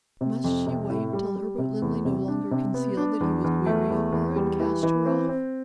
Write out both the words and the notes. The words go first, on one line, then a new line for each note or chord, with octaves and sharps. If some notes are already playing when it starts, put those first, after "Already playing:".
Must she wait till Herbert Linley no longer concealed that he was weary of her, and cast her off?
C3
F2
C3
A2
G3
G3
C3
E2
C3
D4
C3
B3
D4
E2
E2
A3
E2
E2
G3
E3
E3
C4
C4